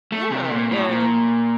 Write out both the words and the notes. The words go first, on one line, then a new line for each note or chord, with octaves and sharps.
Yeah, and
A3
C3
C3
A#2
A2
A#2